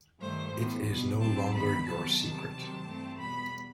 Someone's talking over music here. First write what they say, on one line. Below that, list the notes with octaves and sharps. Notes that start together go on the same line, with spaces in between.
It is no longer your secret.
G2 D#3 A3 C5
A2 E3 B3
B2 G3 B3
A2 F#3 C4 A5
G2 D#3 G3 B3 B5
C3 D#3 F#3 B3 A5
E2 C3 D#3 F#3 A5
C3 D#3 F#3 C4 A5
G2 E3 A3 C4
E2 B2 G3 B3 B5